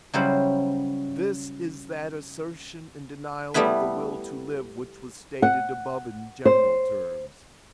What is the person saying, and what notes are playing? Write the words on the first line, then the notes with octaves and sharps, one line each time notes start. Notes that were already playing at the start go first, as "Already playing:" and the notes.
This is that assertion and denial of the will to live which was stated above in general terms.
C#3 F#3 G3 E4 C5
G3 A3 B3 E4 B4
F#5
C5